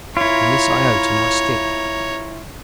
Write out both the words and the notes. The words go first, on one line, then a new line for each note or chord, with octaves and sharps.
And this I owe to my stick.
E4 F4 C#5 A#5